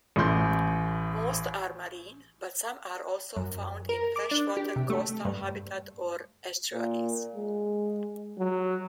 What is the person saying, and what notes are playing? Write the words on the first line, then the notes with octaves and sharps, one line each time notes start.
Most are marine, but some are also found in freshwater coastal habitat or estuaries.
A1 A2 C6 G6
F#2
A#4
D6
D4
G4
C3
A3
G2
A#2
G#3
F#3